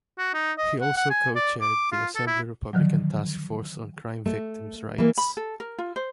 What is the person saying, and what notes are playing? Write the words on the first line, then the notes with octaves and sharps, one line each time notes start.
He also co-chaired the Assembly Republican Task Force on Crime Victims' Rights.
F#4
D#4
D#5
F#5
F#5
G#5
D5
D6
F4
A4
E4
D3 D#3 F3 F#3
A3
E3 A#3
B5
A4
A#4
F4
C5